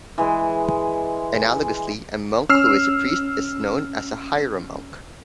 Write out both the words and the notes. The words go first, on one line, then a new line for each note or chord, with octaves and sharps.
Analogously, a monk who is a priest is known as a hieromonk.
E3 G#3
C#4 E6 F6 C7